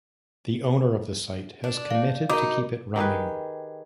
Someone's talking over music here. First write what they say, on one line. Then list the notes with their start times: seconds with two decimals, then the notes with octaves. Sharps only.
The owner of the site has committed to keep it running.
1.64 D4
1.91 D5 F5
2.30 D#4 F#4 A#4 D6
2.96 D#3 G4 G#4 B4